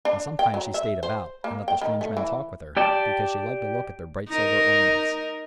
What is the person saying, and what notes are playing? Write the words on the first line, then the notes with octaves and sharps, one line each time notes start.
And sometimes she stayed about and let the strange men talk with her, because she liked to look at their bright silver ornaments.
D4
G5
F#3
E5
C5
A#3
G5
D#3
A3
E3
G4 D5 G5 A5
D#4 A#4